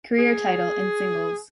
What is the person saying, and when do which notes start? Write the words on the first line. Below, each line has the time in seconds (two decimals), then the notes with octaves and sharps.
Career title in singles.
0.19 G#4